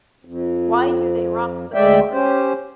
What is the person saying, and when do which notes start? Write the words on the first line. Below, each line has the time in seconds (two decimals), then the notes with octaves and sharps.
Why Do They Rock So Hard?
0.25 F2
1.74 D2 G#3 D5 E5 G5
2.12 C#4 G4 C5